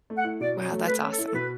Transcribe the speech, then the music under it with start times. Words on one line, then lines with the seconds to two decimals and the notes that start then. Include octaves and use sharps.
Wow, that's awesome.
0.10 A3
0.17 F#5
0.24 E4
0.40 B2 D5
0.57 F#3
0.71 A3
0.87 A3 B4
1.03 C#4
1.11 A4
1.18 E4
1.27 A4
1.34 B2 B4